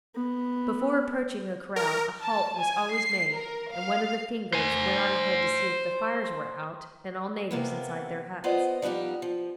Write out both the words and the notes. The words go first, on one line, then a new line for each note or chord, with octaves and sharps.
Before approaching a kraal a halt was always made, and one of the Fingoes went on ahead to see if the fires were out and all natives inside their huts.
B3
A#4
A5
G#5
C7
A#4
F5
C5 G#5
C3 A#3 B3
B3 F4 C5 D5 D#5
F3 G3 B3 D#4 G4
F3